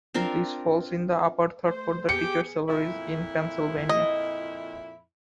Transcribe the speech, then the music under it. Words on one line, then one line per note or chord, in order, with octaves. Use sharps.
This falls in the upper third for teacher salaries in Pennsylvania.
C4 D4 F4 A#4
A3 C5
B3 G4 G#4 G5 D6 C#7
F2 A#2 E4
D#5